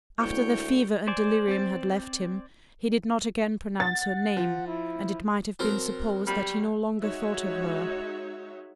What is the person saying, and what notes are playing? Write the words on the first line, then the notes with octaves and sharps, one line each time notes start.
After the fever and delirium had left him, he did not again pronounce her name, and it might have been supposed that he no longer thought of her.
D2 G#3 A#3 E4 C#5 G5
C5 D5 G#5
C4 A6
F#5 A6
F3
E4
B2 F#3 C4 A#4
B1 G3 F6
G#3 D#4 F#4 C#5 E5